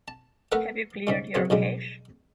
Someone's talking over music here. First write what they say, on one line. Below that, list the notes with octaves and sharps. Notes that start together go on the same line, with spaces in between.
Have you cleared your cache?
A5
A3 B3 A#4 B4 E5 F#5
G#2 C#3 G#3
F#2 C#3 B3 C4
B1 C#3 G3 G#3